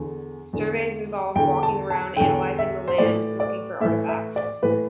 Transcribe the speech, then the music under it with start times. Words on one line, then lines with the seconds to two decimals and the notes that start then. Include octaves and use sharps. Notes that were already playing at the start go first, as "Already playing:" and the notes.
Surveys involve walking around analyzing the land looking for artifacts.
Already playing: E2 D3
0.53 E2 D3
1.35 E2 D3 G5
1.63 A5
1.90 A5
2.16 E2 D3 G5
2.59 E5
2.88 C5
2.98 A2 E3 D5
3.40 D5
3.81 A2 E3 E5
4.09 E5
4.36 D5
4.63 A2 E3 B4